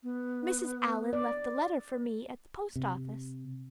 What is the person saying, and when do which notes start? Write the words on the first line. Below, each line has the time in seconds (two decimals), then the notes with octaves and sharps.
Mrs. Allan left the letter for me at the post office.
0.03 B3
1.13 D5
2.76 C3